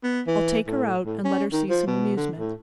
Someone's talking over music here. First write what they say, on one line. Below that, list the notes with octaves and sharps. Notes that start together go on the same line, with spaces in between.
I'll take her out and let her see some amusement.
B3
E3
A2
A2
C#4
D#3
F3
B2
D3
A2